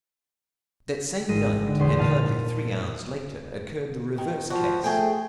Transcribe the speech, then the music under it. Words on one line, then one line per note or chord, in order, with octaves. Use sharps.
That same night, and hardly three hours later, occurred the reverse case.
G#1 G#3 A#6 D#7
D3
A#1 E2 C5 C6
A#2 F5 A5 D#7
D#3
F3 F#4
A3 G#4 G5